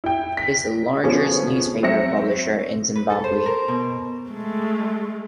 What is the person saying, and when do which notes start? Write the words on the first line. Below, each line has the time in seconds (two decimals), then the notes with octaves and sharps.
It is the largest newspaper publisher in Zimbabwe.
0.04 E4 G5
0.37 B6
1.04 B2 D3 F3 B3 C#4 G#4
1.83 F#3 C4 E5 A#6 C#7
2.95 B4
3.10 A4
3.24 C5
3.46 A#4
3.68 B2
4.29 G#3 A3